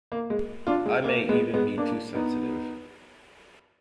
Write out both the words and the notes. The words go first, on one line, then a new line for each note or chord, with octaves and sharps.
I may even be too sensitive.
A#3
G#3
D4 F4
G#3
A#3
G#3 B3
G#3 B3
A#3 D4
B3 D#4